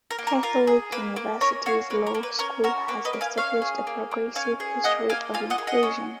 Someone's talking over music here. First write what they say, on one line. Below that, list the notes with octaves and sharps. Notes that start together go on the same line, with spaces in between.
Catholic University's law school has established a progressive history of inclusion.
A#4
A#3
A#4
F4 A#4
G#4
A#3 B4
A#3
C#4 A#4 C#5
F#4 C#5 F5
A#3 B4
A#4
A#3
B4
C#4 A#4
F#4 A#4
A#3 B4
B4 D#5
A#3
F5 G#5
C#4 C#5 F5
G#4
A#3
A#3
C#4 F5 G#5
G#4
A#3 D#5 F#5
A#3 F5 G#5
F4 F5 G#5
D#5 F#5
G#4
D#5 F#5
C#4